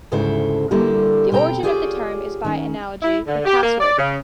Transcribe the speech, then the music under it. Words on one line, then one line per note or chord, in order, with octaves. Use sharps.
The origin of the term is by analogy with "password".
D2 G#2 C#3 E4 A4 C5
D3 G3 A#3 E4 A4
B2 C4 G5 A#5
F4 G4 G#4 C#5 D5
D#3 C#4
E4
D3
G4
A#3
D5
C#3